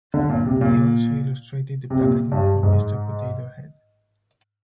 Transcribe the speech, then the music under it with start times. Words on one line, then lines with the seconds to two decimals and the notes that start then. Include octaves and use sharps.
He also illustrated the packaging for Mister Potato Head.
0.14 D3
0.29 A#2
0.46 C3
0.61 A#2
1.90 C3
2.01 A#2
2.32 G2
2.63 G#2